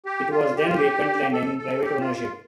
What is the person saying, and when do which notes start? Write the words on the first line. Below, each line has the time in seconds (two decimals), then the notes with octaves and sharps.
It was then vacant and in private ownership.
0.06 G4
0.31 F4
0.57 G4
0.65 F4
0.74 G4
1.33 A4
1.58 A4
1.83 G4
2.00 F4
2.17 F4